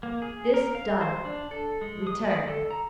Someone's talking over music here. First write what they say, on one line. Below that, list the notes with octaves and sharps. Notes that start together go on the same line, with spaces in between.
This done, return.
A#3
G#4
A#4
F5
C5
D4
A4
G#3
D#6
D5
A4
A#5